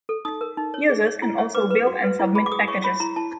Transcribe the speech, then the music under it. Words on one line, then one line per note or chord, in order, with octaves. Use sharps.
Users can also build and submit packages.
A4
D#4 D#6
A#4
D#4
C#5
G#4
C#5
E4
C#5
B4 D6
B4
F#4
B4
E4
G#4 B5
D6
G#4 D#6
C#5 C#6
C#5 B5
E4 A#5
E4 A5